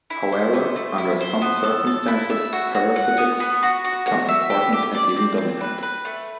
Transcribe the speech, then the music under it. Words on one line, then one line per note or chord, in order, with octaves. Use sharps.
However, under some circumstances parasitics become important and even dominant.
E4
C5
A3
A3
E4
C5
B3
A4
A5
E4
E5
F#4
F#4
F#5
B3
B3
F#4
F#4
F#4
E5
G4
G4
D5
C4
C4
B4
B4
A3